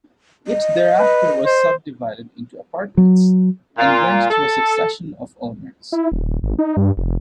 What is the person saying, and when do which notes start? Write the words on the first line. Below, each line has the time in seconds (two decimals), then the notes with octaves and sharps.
It thereafter was subdivided into apartments, and went through a succession of owners.
0.48 D#5
0.99 B4
1.46 C5
2.97 F#3
3.78 A#2 F4
4.31 A4
5.92 E4
6.12 D#1
6.43 G#1
6.59 D#4
6.77 G2
6.97 F1